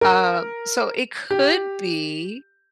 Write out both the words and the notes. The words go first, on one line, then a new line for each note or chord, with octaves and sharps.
uh, so it could be,
A#4
G4